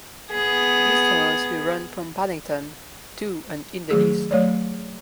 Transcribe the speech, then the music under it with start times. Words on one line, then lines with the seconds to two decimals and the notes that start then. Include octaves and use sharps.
These tunnels will run from Paddington to and in the east.
0.32 B3 G#4
3.90 D#3 F#3 A3 G#4
4.31 F#3 A3 C#5 D5